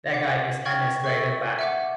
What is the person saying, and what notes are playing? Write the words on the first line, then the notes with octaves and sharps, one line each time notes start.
Their guide is administrator Badman.
F#5 D6 B6 C7
G5 C#6 F6 G#6 A6
A4 E5 C#6
E5 F#5 D6